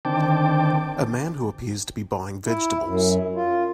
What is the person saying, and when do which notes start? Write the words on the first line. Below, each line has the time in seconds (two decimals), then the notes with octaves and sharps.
A man who appears to be buying vegetables.
0.05 D3 D#3 C4 G5 A5 D6
2.45 E4
2.84 F#2
3.35 F4